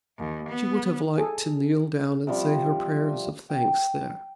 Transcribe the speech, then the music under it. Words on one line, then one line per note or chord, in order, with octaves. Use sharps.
She would have liked to kneel down and say her prayers of thanks there.
D#2
B3
G#4 A4
C3 F3 G3
G5